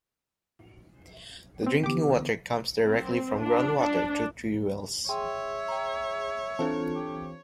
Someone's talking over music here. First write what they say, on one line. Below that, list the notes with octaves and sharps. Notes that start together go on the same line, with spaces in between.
The drinking water comes directly from groundwater through three wells.
B3 C4
D3 E3 B3 G4 D6
C4
D4
D4
G#4 C#5 E5 G5 C6
G5 A#5
E3 C4 D4 F4 A4 A5
G4